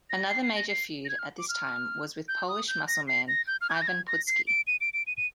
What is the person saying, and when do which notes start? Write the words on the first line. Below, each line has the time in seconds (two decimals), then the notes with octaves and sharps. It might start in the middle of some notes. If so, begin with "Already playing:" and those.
Another major feud at this time was with Polish muscleman Ivan Putski.
0.10 A#6
0.29 C7
0.43 C7
0.56 A#6
0.69 C7
1.05 A#6
1.09 G#6
1.19 F6
1.38 D6
1.49 F6
2.28 G6
2.48 D#6
2.68 G6
2.88 A#6
3.08 C7
3.28 A#6
3.47 G6
3.61 F6
3.70 G#6
3.74 G6
3.82 A#6
3.88 G#6
4.08 A#6
4.27 C7
4.47 D7
4.67 D#7
4.81 D7
4.94 D7
5.07 D#7
5.17 D#7